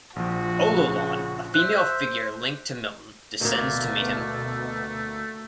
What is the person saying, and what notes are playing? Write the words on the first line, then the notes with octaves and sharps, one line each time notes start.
Ololon, a female figure linked to Milton, descends to meet him.
A#1 F3 F#4
C#3
C5 E5 F#6
D2 A3 A#3
B2